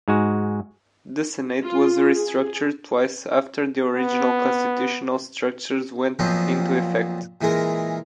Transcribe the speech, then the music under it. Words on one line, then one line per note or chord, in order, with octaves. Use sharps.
The Senate was restructured twice after the original constitutional structures went into effect.
G#2 G#3 F#4
F4
G#4
B3
F2 A#2 F3 F#3 B3 C4
A#2 E3 G#3 A#4